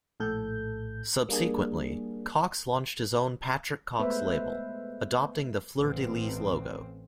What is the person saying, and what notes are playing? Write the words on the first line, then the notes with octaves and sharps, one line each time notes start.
Subsequently, Cox launched his own Patrick Cox label, adopting the fleur-de-lys logo.
A#1 A2 A4 G6
G3 A#3 D4 G#4
G#3 A3 B3 B4 C5 E5
A1 C4